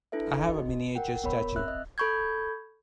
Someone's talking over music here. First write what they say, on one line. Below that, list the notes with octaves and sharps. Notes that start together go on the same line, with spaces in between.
I have a miniature statue.
D4 E4 A4 B4 E5
F#4 D#5
A#4 F#5 G5
B3 A#4 C#5 B5
C4 E5 E6 F#6
D#5
A4 B5 C#6 G6 G#6